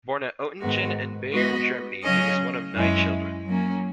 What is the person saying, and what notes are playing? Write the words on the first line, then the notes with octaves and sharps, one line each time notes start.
Born at Oettingen in Bayern, Germany, he was one of nine children.
G#2 D#3 G#3 B3 F#4
G#3 B3 F#4 B4 D#5
C#3 F#3 C#4 G#4 D#5
F#2 E3 G#3 C#4
F#3 A#3 C#4